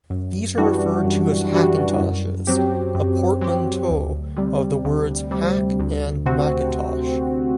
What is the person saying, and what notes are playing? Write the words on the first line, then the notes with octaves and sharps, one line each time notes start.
These are referred to as Hackintoshes, a portmanteau of the words "hack" and "Macintosh".
F#2
E3 G3 D4 F#4
F#2
E3 G3 D4 F#4
F#2
F#3 C4 G4
F#2
F#3 C4 G4
D2
C3 G3
D2
C3 G3
D2
C3 C4 F#4